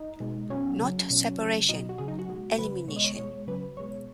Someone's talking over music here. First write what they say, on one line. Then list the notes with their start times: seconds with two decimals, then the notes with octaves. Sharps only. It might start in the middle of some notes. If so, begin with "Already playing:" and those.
Not separation, elimination.
Already playing: D#4
0.20 B2 G#3
0.50 B2 F#3 C#4
0.80 C#3 F#3
1.10 B2 F#3
1.39 C#3 F#3
1.69 B2 F#3 D#4
1.89 F#4
1.98 C#3 F#3 G#4
2.08 D#4
2.19 F#4
2.29 B2 G#3
2.58 C#3 F#3 B4
2.88 B2 G#3 C#5
2.96 D#5
3.04 C#5
3.18 B2 G#3 C#5
3.47 C#3 F#3 B4
3.77 B2 G#3 C#5